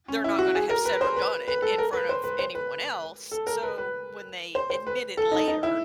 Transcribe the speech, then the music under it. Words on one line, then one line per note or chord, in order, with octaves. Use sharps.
they're not gonna have said or done it in front of anyone else, so when they admit it later
C#4
E4
F#4
G#4
A#4
B4
C5
B4
B4
A4
A#4
B4
C5
B4
C5
B4
A4
A#4
B4
B4
C5
C5
B4
A4
D#4
D#4
E4